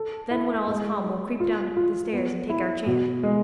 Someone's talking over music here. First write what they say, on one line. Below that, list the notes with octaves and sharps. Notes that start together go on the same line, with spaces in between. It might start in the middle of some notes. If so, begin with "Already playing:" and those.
Then, when all is calm, we'll creep down the stairs and take our chance.'
Already playing: A4
E4
G#3
D#4
F4
F4
B3
E4
B2
G#3